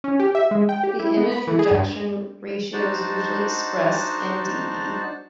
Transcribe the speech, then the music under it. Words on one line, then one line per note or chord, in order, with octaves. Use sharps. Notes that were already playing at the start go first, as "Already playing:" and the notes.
The image rejection ratio is usually expressed in dB.
C#4
G4
E5
G#3
G5
G4
E4
B3
B5
E3
G#4
G2
D4 D#4 F#4 C5 D5 A5